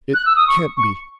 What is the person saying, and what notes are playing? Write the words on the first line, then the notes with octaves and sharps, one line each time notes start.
It can't be.
F#6
E6
D#6
C#6
C#6